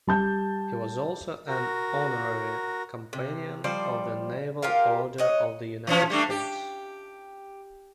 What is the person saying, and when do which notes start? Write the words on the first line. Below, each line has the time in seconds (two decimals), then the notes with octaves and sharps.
He was also an honorary companion of the Naval Order of the United States.
0.07 G3 A5 G6
1.48 F#4 A#4
3.13 C3
3.64 F3 G3 C5 D5
4.62 F4 G4 A#4 F5
5.18 C#5 D#5 F#5
5.87 E3 F3 C#4
6.10 G3 A3 D4
6.30 G4